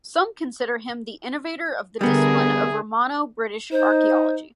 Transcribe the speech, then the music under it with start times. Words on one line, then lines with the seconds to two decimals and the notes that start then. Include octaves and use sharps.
Some consider him the innovator of the discipline of Romano-British archaeology.
2.01 D3 G3 B3 G#4 A#4 E5
3.72 D#4 C5